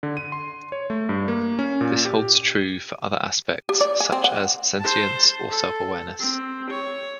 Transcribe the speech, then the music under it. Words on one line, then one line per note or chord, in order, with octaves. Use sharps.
This holds true for other aspects, such as sentience or self-awareness.
D3
D#7
C6
C#5
A3
G2
A#3
C#4
A#2
G4
D#7
G4
D5
G#5
C4
F#5
C5 A5
A4
C4
C#5